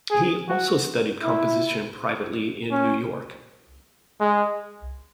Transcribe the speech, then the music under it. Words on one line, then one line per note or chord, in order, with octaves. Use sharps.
He also studied composition privately in New York.
G#4
F#4
E4
C#4
G#3